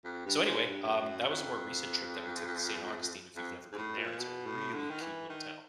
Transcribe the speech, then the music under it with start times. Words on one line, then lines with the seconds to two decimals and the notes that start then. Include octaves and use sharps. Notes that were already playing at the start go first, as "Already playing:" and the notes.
so, anyway, um, that was a more recent trip that we took to Saint Augustine, if you've never been there, it's a really cute little town.
0.05 F2
0.26 G2
0.46 G#2
0.67 G2
0.87 F#2
1.29 F2
3.36 F2
3.72 G#2
3.78 A2
3.98 A#2
4.19 B2
4.46 A2
4.74 D3
4.90 D#3
5.01 E3
5.29 D#3